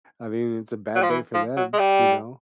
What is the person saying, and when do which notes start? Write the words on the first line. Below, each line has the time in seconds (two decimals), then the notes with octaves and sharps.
I mean, it's a bad day for them, you know,
0.96 F#3
1.02 F3
1.10 E3
1.34 F3
1.57 F#3
1.73 G#3
1.79 G3